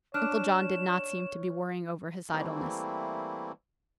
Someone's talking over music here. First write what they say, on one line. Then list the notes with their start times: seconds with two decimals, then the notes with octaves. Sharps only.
Uncle John did not seem to be worrying over his idleness.
0.14 D4 C#5 F6 F#6 E7
2.33 E3 G3 A3 A#3 C4 E4